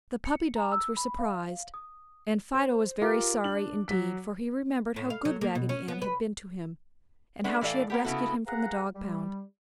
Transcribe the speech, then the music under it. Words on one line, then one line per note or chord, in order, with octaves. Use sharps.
The puppy dogs were surprised, and Fido was very sorry indeed, for he remembered how good Raggedy Ann had been to him and how she had rescued him from the dog-pound.
C#7
A#5
E6
B5
F5
D#6
C5
F4 G4 A#4 D6
D4 F#7
F#3 B6
A2
F5
F#3
A#3
B2
C#4
B3
B4
G#3 A3 B3 D4
A2 E3 A4 D5 F5
A#3 B3 G4
C#3 B3 E4 F#4 A4
G#4 B4 F5 F#5 A#5
G3